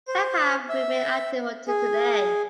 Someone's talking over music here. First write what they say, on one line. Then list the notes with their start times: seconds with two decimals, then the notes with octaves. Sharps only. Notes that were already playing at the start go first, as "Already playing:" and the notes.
Some have remained active until today.
0.08 C5
0.69 E5
1.68 G#4